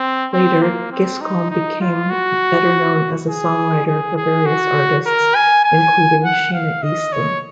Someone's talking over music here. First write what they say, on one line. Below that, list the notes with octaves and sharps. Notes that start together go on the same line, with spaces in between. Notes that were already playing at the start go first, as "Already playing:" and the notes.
Later Giscombe became better known as a songwriter for various artists, including Sheena Easton.
Already playing: C4
C4
A#3
C4
D#4
D#4
F4
F#4
G#4
G#4
G#4
F#4
A#4
G#5
G#5
F#5
F5
D#5
C#5